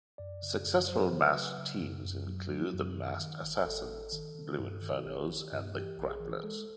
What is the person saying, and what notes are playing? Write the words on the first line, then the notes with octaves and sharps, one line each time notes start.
Successful masked teams include the Masked Assassins, Blue Infernos and the Grapplers.
F#2 D5
C#3
F#2
F#3 C5
C#3
B4
F#3
C#3
F#2
F#2
F#3
F#3
F#2
D#3
D#3
G#1
G#1 A4
G#1
D#3
D#3
G2
D#3
F#4
G#1 G4
D#3
G2
E3 G4
A#1
G#4
E3
G#3 A4